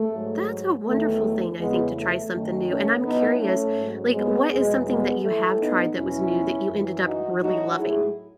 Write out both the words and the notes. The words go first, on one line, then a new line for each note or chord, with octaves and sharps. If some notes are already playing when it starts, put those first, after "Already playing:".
That's a wonderful thing, I think, to try something new and I'm curious, like, what is something that you have tried that was new that you ended up really loving?
Already playing: A3
G#2 F#3
E2 D#3 F#3 A3
E2 C#3 E3 G#3 B3
A3
F#2 D#3 F#3 A3
A3 C#4
A2 F#3 B3 D#4
A3 C#4
G#2 F#3
G#3 B3
E2 B2 F#3 G#3
G#3 B3
A2 E3 A3
B3 D#4
E2 B2 F#3 C#4 E4
F#2 E3
D#4 F#4
A2 F#3 D#4 F#4
E4 G#4